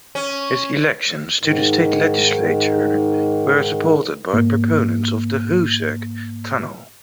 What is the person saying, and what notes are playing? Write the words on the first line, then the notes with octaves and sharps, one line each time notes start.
His elections to the state legislature were supported by proponents of the Hoosac Tunnel.
C#4
G#2 D#3
G#2 A#3